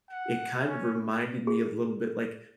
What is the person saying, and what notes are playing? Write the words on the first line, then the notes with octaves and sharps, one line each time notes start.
it kind of reminded me a little bit, like
F#5
C#4
G#4